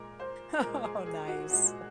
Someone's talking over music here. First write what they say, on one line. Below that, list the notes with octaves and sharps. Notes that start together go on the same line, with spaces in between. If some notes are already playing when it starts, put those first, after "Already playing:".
Oh, nice,
Already playing: A#2 G#3 A#4
C5
A#2 G#3 A#4
G#4
G#4
F#4
A#2 G#3 F#4